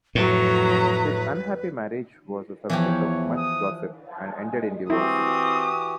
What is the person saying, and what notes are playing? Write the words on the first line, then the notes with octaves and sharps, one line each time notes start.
His unhappy marriage was a subject of much gossip, and ended in divorce.
F2 A2 F#3 B4 A#5
E2 E3 F3 G4 C#5
D#6
E3 C4 E4 F#4 G4 D#6